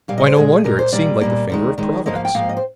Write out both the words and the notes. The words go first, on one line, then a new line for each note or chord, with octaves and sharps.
Why, no wonder; it seemed like the finger of Providence.
A#2 G3 A#3 F5
D#5
C5
A#2 G#3 G#4
A#2 G#3 A#4
C5
A#2 G3 A#3 D5
A#2 G3 A#3
D#2 D#3 G#3
D#2 D#3 G#3
G#2 F3 A#3 D#5
F5
G5
G#2 F3 A#3 F5
D#5
C5